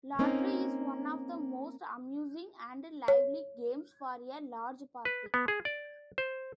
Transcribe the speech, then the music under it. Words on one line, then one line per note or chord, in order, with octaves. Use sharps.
Lottery is one of the most amusing and lively games for a large party.
A#3 C4 C#4 D#4
C#5
B4
B3
G#4
D5
C5